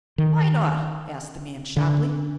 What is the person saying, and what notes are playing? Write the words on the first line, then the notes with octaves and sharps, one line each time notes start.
"Why not?" asked the man sharply.
D#3
D3